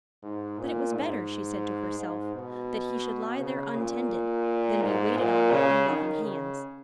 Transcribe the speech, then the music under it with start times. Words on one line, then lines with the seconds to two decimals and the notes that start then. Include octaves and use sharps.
But it was better, she said to herself, that he should lie there untended, than be waited on by unloving hands.
0.23 G#2
0.59 A#2
0.94 G#2
1.99 G#2
2.35 B2
3.41 C#3
3.77 A#2
4.82 G#2
5.17 A#2
5.52 C#3
5.88 D#3
6.23 C#3